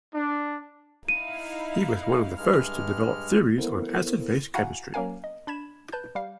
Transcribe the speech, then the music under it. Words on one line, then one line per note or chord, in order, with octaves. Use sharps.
He was one of the first to develop theories on acid-base chemistry.
D4
D#4 E4 F5 D#7
G2 G#3 F6
B3 E4 A4 A#4 C5
E4 F#4 F5 F#5 G#5 A#5
F#3 A#3 C#4 A#4 F5 G#5
D#5
D4 B5 G#6 E7
B4 A5 G6
G3 F5